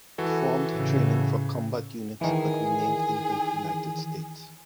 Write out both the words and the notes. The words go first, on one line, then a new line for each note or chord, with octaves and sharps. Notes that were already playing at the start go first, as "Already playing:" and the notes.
Performed training for combat units, but remained in the United States.
E3 F#4 A4
A2 C#3
D#3 E3 G#4